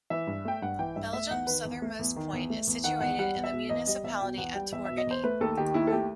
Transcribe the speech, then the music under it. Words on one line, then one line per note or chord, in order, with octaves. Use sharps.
Belgium's southernmost point is situated in the municipality, at Torgny.
E3 E5
G2
A3 G5
G2 F#5
E3 G5
G2 E5
A3 E5
E2 F#5
D#3 B4
E2
A3
E2
D#3
E2
A3
E2
D#3 F#5
E2 F#5
G3 F#5
E2
E5
B2
E2 D#5
G3 D#5
E2 E5
B2 G5
E2 F#5
G3 G5
E2 E5
B2 E5
D#5
E2 C5
A3 B4
D#2 A4
D#3 G4
D#2 E4
A4
A3 G4